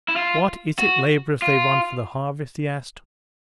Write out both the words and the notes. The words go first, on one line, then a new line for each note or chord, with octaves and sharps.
"What, is it laborers they want for the harvest?" he asked.
E4
F4
F#4
F4